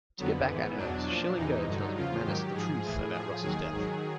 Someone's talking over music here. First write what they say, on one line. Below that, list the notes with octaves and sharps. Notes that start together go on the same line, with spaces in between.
To get back at her, Schillinger tells McManus the truth about Ross' death.
F2 D3 F#3 B3
G#2 E3
E2 B2 F#3 D4
A#2 F3
E2 C3 E3 D#4
G2 D3 F#3
E2 C#3 F3 F4
G#2 D#3 F#3 G4
G#2 F3 G#4
A2 E3
A2 F3 G#4
D#2 D#3 F#3 G#4
G#2 D#3 F#3